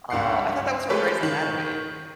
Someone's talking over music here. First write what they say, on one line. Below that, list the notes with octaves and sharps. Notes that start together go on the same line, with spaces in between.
Oh, I thought that was from Grey's Anatomy.
C#2 G2 F#5 C7
G#3 A3 G4 B4 C#5
D#3